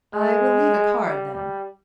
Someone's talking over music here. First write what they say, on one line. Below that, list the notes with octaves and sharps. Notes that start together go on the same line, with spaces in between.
"I will leave a card then."
G#3
G3
G3